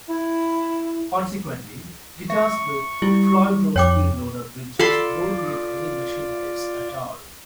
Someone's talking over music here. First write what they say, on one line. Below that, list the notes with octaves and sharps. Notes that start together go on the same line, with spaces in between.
Consequently, guitars with Floyd Rose SpeedLoader bridges don't need any machine heads at all.
E4
E5 C#6
G3 E4
F2 C#5 G5 D6
F4 A4 D5 B5 C6